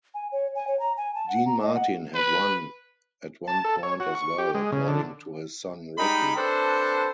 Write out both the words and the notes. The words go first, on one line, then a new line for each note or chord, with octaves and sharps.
Dean Martin had one at one point as well, according to his son Ricci.
G#5
C#5
G#5
C#5
A#5
G#5
A5
F#5
A#5
D#5
F#5
B4
A5
A4
C#5
F#4
C#6
G4
G#3
C#3
D3
G3 G#3 D#4 D#5 G5 B5
C4 D4 A4 B4 C5